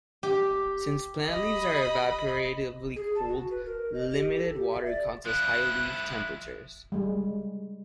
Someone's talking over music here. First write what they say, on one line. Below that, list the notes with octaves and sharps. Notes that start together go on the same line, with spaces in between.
Since plant leaves are evaporatively cooled, limited water causes high leaf temperatures.
G4
D#5 B5
G#4
A5
F#4
B4
A#4
D#5
G4
A4
G4
E5
D5
F3 E4 F#6
G3 G#3